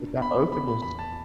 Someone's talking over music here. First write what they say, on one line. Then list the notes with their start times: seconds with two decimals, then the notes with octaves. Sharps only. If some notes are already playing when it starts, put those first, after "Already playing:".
but that openness
Already playing: D4
0.22 B3 B5
0.52 B3 B5
0.68 B5
0.82 E2 B5
0.99 A5